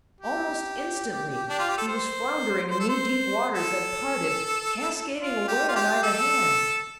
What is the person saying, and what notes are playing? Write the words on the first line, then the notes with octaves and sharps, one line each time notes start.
Almost instantly he was floundering in knee-deep waters that parted, cascading away on either hand.
G4
D4
F4
G4
A4
C5
C5
A4
C5
A4
F4
G4
F4
G4
A4